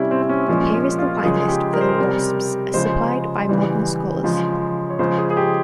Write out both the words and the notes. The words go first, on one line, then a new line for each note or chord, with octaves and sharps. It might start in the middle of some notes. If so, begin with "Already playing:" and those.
Here is the wine list for "The Wasps" as supplied by modern scholars.
Already playing: C3 G3 C#4 E4
C4
C4
C#4
A#2 F3 G#3 C#4
C#4
F4
C#3 F3 G#3 G#4
G4
A#4
C5
A#4
C3 G3
C#3 F3 G#3 C5
C#3 E3 G3
C#3 F3 G#3
C#5
C#3 F3 G#3 C5
G#4
G#4
G4